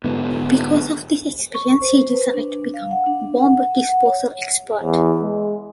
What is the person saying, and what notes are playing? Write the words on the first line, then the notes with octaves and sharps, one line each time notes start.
Because of this experience he decided to become a bomb disposal expert.
G#2 D3 B3
C#6
C5
B4
D4
F5
F#5
D4
F#5
F#5
C#5
E2
G#3